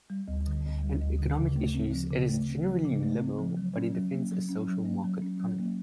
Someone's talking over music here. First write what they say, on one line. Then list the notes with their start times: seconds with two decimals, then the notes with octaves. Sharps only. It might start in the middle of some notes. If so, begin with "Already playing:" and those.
In economic issues, it is generally liberal, but it defends a social market economy.
0.10 G3
0.28 D2
0.47 D3
0.65 D2
0.83 G3
1.01 D2
1.19 D3
1.38 C#3
1.56 A3
1.74 C4
1.93 F3
2.10 C#3
2.29 A3
2.48 C4
2.67 F3
2.85 C#3
3.03 A3
3.20 C4
3.39 F3
3.57 F#3
3.76 C#4
3.95 F#3
4.12 A#3
4.31 F#3
4.49 C#4
4.67 F#3
4.86 A#3
5.04 F#3
5.22 C#4
5.40 F#3
5.59 A#3